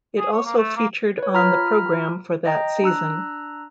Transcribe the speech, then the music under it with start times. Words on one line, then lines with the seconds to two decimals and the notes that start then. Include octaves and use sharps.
It also featured on the programme for that season.
0.18 G#4
0.32 C#5
0.45 A#3
0.57 A3
0.77 A#3
1.18 B4 C#5
1.34 F4 A#5 B5 F6 B6
2.46 D#5 G5 A#5
2.82 D4 A#5 E6 F#6